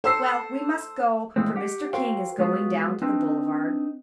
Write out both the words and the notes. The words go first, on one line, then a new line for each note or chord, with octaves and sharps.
"Well, we must go, for Mr. King is going down to the Boulevard."
A4 C5 E6 C7
C2 A#2 E3 G#3 A3 C4
G4 F#5
F#4 A4 A#4 C5 F5 G5
G#3 B3 F4 F#4 G#4
C4 D4 D#4 B4